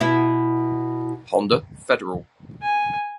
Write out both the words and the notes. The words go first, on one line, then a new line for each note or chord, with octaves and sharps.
Honda Federal.
B2 E4
G#5